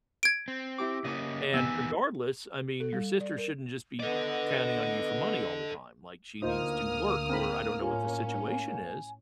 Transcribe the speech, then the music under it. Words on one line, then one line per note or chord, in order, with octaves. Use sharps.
And regardless, I mean, your sister shouldn't just be counting on you for money all the time, like, she needs to work, or I don't know what the situation is,
G#6 D7
C4
E4 G4 D6
C#3 A#3 C#4 D#5 D6
E2 D#3 B3 G#5 E6
A4
G3
D5
A#4
B3 A4 D5 D#5
D2 A#3 D#4 F4 C5 D#6 F6
C4 A#5 B5
A2 C#4 F4 G#5